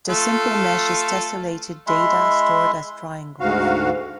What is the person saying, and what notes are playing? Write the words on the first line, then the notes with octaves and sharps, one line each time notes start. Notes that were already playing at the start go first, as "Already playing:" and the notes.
The simple mesh is tessellated data stored as triangles.
A3 F4 A4
G#3 E4 E5 C6
D2 G#2 F#4 F5